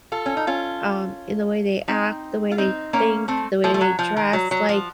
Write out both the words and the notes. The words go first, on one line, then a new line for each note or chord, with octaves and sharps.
um, in the way they act, the way they think, the way they dress, like,
F4 A4
C#4
D#4
C#4 F4
C4 D#4
F4
C4 D#4
A#3 C#4
A3 C4
F3 A3
A3
F#3
F3
D#3
F#3
F#3
F3